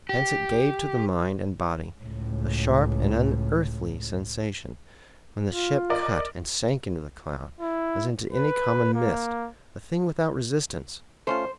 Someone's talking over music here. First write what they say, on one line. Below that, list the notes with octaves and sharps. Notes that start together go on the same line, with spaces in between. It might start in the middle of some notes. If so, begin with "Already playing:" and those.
Hence it gave to the mind and body a sharp and unearthly sensation when the ship cut and sank into the cloud as into any common mist, a thing without resistance.
G4
C#2 A2
F4
A#4 D5 D#5
E4
B4
A#3
A3 C#4 F4 C5